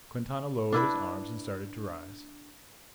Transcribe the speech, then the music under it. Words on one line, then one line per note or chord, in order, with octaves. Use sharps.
Quintana lowered his arms and started to rise.
D4 E4 B4